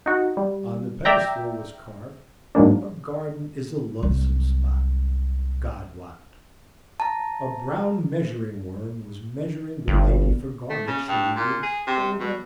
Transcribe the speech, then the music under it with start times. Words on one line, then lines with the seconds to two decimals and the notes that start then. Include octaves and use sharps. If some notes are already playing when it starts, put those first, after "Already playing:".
On the pedestal was carved, "A garden is a lovesome spot, God wot." A brown measuring-worm was measuring the lady for garments she needed but would never wear.
0.06 D#4 F#4
0.37 G3
1.05 D5 E5 G5 A#5
2.55 G#2 F#3 G#3 A#3 D4
4.03 C2 F#3
7.00 A5 A#5
9.88 G1
10.70 A3
10.87 C#3
11.08 G2
11.36 A#2
11.63 G#4
11.87 C3
12.20 B2